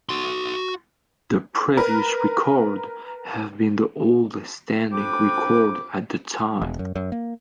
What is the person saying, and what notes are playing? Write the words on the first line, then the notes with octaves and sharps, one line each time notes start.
The previous record had been the oldest standing record at the time.
F#4 C6
A#4 B4
F2 C4 D4 B4 G5 D6
E1
F#2
F#2
A#3